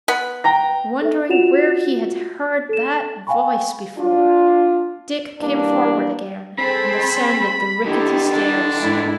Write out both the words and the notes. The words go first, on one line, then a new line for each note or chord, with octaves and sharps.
Wondering where he had heard that voice before, Dick came forward again and ascended the rickety stairs.
B3 B4
G5 A#5 A#6
A4 E5
F4 F#4 C#5 F#5 E7 F7
A4 E7
F5 G5 G#5 B5 C#6
D4 F4
E3 G3 A#3 D4
C4 G#4 A4 C5 B5
D3 D#3 E4 G4 A4
D4
G#2 E4 A4